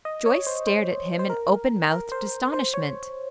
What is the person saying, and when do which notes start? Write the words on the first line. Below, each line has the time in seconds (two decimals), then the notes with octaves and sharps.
Joyce stared at him in open-mouthed astonishment.
0.05 D#5
0.26 C#5
0.47 C5
0.67 C5
1.19 C5
1.30 A#4
1.91 A#4
2.12 C5
2.53 C5
2.74 C#5